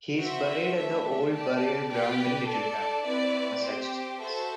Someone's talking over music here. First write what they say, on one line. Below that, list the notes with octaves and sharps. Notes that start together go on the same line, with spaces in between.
He is buried at the Old Burial Ground in Littleton, Massachusetts.
F#4 C5 E5
A3 D4 A4 E5
G4 D5 A5
G4 B4 D5 G5
D4 A4 D5 A5
C4 E4 B4 D5
C4 G4 C5
F#4 A4 C5 E5 A5